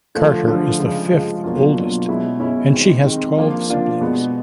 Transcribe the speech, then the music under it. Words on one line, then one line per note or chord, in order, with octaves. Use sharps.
Carter is the fifth oldest and she has twelve siblings.
D3 F3 A3 D4 F4
D3 F3 A3 D4 F4
C#3 F3 G#3
C#3 F3 G#3
B2 F#3 A#3 D4 F4
B2 F#3 A#3 D4 F4
B2 G#3 C#4 E4
B2 G#3 C#4 E4
D#3 G#3 C4
D#3 G#3 C4
F3 A#3 D4 F4
F3 A#3 D4 F4
B2 G#3 B3